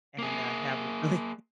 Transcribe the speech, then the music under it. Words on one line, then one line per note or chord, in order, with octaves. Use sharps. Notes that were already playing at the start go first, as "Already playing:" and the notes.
and, uh, have a really
A#3 G#4